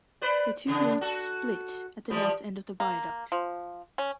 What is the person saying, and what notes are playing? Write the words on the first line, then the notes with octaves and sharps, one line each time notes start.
The two routes split at the north end of the viaduct.
B4 C5 D5
E2 C#3
F#4 A4
E3 F3 G3
A#3
F3
C#4